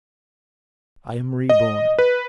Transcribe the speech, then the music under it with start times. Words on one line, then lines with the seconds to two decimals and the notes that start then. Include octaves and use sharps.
I am reborn.
1.49 D#5
1.99 B4